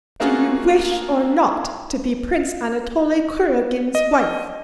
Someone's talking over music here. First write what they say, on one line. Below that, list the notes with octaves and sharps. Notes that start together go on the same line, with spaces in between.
Do you wish or not to be Prince Anatole Kuragin's wife?
A3 A#3 D4 F4 F#4 G#4
D#5